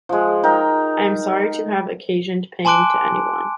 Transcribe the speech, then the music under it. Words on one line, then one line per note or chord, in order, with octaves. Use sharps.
I am sorry to have occasioned pain to anyone.
F3 G#3
D#4 A#4 G5
G#5 A5 C6 D6 F#6 D7